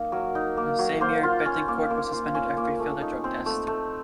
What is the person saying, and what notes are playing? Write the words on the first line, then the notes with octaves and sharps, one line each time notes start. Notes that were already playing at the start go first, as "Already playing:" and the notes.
In the same year Betancourt was suspended after he failed a drug test.
Already playing: A#3 D#4
F#3 A#4
D#4
A#3
F#3
A#3 C5
F4
C#4
A#3
A#3
F4
C#4
A#3
A3
D#4
C4
A3
A3